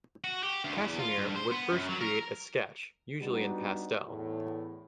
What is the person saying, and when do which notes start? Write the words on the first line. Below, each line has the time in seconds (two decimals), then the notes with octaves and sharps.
Kasimir would first create a sketch-usually in pastel.
0.24 F#4
0.43 G4
0.64 D2
0.77 E2
0.99 F4
1.18 G2
1.36 C5
1.52 B3
1.72 F#2
1.89 F#3
2.01 A#4
3.20 G3 B3 D4 D#4 F#4 G4
4.06 E2 A2